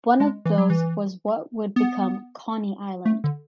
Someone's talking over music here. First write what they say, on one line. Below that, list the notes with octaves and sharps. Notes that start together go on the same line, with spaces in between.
One of those was what would become "Coney Island".
G#3
E3
F#3
E3
B3
A3
D3